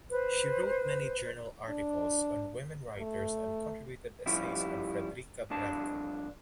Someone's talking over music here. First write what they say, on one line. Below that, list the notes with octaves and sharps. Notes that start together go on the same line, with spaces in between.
She wrote many journal articles on women writers and contributed essays on Fredrika Bremer.
B4 C5
D4
A3
F3 G3 C#4 E4 G4
C2 F2 D4 A5